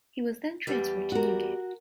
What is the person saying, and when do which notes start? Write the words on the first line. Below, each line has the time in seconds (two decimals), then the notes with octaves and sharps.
He was then transferred to Newgate.
0.67 E2 G3
1.12 F#4 A#4